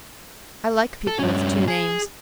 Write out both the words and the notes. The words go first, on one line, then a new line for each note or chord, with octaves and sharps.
I like people with two names.
A4
G2 C#4
G#4